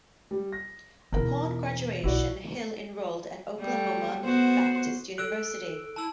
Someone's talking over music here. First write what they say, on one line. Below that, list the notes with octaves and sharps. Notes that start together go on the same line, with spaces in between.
Upon graduation, Hill enrolled at Oklahoma Baptist University.
G3
A#6
E2 B2 E4 A#4
B1 E4 F#4 D5
G3 A3
B3 F#4 C5
A4 E6 F#6 D7
E4 A5 E6